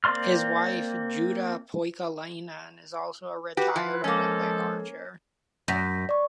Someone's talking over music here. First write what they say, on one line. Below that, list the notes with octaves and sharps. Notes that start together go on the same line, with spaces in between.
His wife Jutta Poikolainen is also a retired Olympic archer.
A#3 C4 D5 C6 F6
F#4 G4 B4
F3
F3 G#3 A#3 C#4 A4
F#2 G6 A#6 B6
D5 C#6